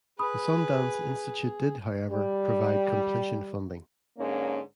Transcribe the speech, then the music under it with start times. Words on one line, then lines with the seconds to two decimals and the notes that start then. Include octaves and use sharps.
The Sundance Institute did, however, provide completion funding.
0.19 G#4 B4 B5 D#6
2.09 G3
4.18 G#2 D3 A#3 C#4 C#5